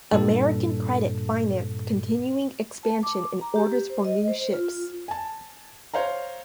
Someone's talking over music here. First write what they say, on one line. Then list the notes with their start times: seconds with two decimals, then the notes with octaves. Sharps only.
American credit financed continuing expansion and orders for new ships.
0.12 G2 A#2 A4
2.83 A5
3.03 D6
3.41 A#5
3.56 G4
3.90 C5
4.05 D#5
4.28 C5
4.54 F4
5.08 G#5 A5
5.94 C5 C#5 F5 A#5